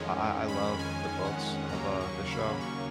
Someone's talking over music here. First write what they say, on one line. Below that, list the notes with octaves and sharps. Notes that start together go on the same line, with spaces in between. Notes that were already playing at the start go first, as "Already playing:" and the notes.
I I I love the books of, uh, the show,
Already playing: F2 D#3 G#3 C#4
B5
G#5
F#5
D#2 C#3 F#3 A#3 C#4 A#5
C#6
B5
C#6